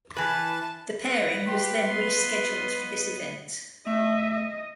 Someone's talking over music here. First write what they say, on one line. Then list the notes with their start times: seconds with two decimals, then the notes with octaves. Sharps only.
The pairing was then rescheduled for this event.
0.17 E3 B4 A5
1.02 B4 A#6
1.46 F4 G4 C6
1.90 B3 D#5
3.87 A3 D#5 E5
4.32 D#5